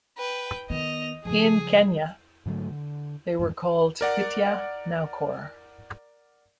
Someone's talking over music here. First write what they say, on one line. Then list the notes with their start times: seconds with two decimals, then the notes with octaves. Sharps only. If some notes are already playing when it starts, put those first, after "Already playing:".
In Quenya they were called "Pitya-naukor".
0.18 B4 G5
0.70 D#3 B3 D#5 F7
1.25 C#3 F3 G#4
2.46 G#2 D3 F#3 A3
2.71 D3
3.39 F2 G#2 E3
4.01 A#4 D5 F#5